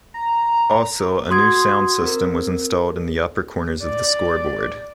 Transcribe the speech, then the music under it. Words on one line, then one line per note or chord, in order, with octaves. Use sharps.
Also, a new sound system was installed in the upper corners of the scoreboard.
A#5
F#4 C6 D#6 G#6
C4 A#4
D5